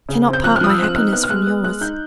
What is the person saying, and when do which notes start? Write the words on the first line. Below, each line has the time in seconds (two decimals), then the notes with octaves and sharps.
I cannot part my happiness from yours.
0.09 C#3
0.27 C4
0.33 G6
0.43 F3 F#6
0.56 F6
0.61 F3 D#6
0.70 E6
0.78 C4 F#6
0.96 D#4 F6
1.13 B3 F#6
1.23 F6
1.29 G#3 F#6
1.47 B3
1.63 G#3 F#6
1.81 D#4 G6